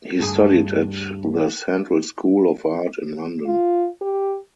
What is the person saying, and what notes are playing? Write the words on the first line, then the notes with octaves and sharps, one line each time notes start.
He studied at the Central School of Art in London.
D2 G2 G#4
F4
G4